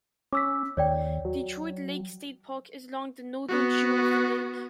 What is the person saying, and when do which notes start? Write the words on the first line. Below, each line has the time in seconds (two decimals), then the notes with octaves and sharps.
Detroit Lake State Park is along the northern shore of the lake.
0.33 C#4 D6 E6 B6
0.77 D#2 C#5 D5 G5
1.25 F#3
3.48 B3 F#4